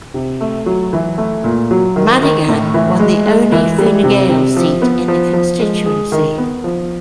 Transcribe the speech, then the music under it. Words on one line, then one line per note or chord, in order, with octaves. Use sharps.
Madigan won the only Fine Gael seat in the constituency.
C3
A3
F#3
E3
A3
A#2
F#3
D#3
D#3
A2
E3
G#3
G#3
E3
G3
C3
C3
F3
B3
F3
F3
G#3
G#4
D#3
B3
F3